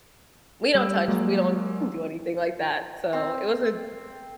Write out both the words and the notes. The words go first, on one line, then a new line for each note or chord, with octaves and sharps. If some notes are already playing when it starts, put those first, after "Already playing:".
we don't touch. We don't do anything like that, so, it was a
G3 E6
F#3 G#3 A#3
C4